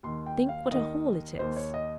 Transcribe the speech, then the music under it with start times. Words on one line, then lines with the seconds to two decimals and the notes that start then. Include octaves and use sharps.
Think what a haul it is!'
0.03 D#2 D#3 C6
0.26 G5
0.49 F5
0.71 D#2 D#3 D#5
1.39 D#2 D#3 C5
1.56 C#5
1.74 D#5